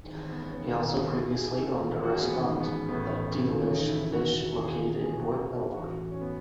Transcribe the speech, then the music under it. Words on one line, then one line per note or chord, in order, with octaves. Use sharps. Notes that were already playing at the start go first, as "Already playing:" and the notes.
He also previously owned a restaurant, the "D'lish Fish" located in Port Melbourne.
G#1 G#2 E3
B3
C#4
B3
D#2 D#3 A3
B3
D#2 D#3 E4
G#4
G#4
A4
A1 G#2 D#3
F#4
G#4
B3
A1 G#2 D#3 G#3
B3
A1 A2 E3 B3
D#2 C#3 E3 A3
C#4
D#4
E4
E1 D#2 C#3 E3 E4
F#4
E4
D#2 C#3 E3 G#4
G#4
G#4
B1 B2 F#4
G#4
F#4
A1 A2 E3 F#4
C#4
B3